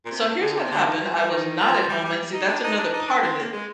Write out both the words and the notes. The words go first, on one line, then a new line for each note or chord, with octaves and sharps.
So, here's what happened, I was not at home, and see that's another part of it,
A#2
C3
D3
C3
D3
D#3
F3
G3
D#3
F3
G3
G3
D#4
D4
D#4
D4
D#4
D4
C4
A#3
G#3